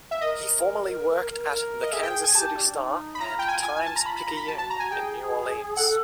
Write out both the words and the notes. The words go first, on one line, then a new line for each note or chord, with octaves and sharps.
He formerly worked at "The Kansas City Star" and "Times-Picayune" in New Orleans.
E5
A#4 D#5
A#4
D#5
G#4 E5
G5
G#5
G4 A5
D4
D#4
B5
F4 A#5
G5
G#5
F4 G#5
G#5
A5
A#5
B5
B5
A#5
B5
F#4 A5
A5
A#5
G#5
G#4 G5
A4 F#5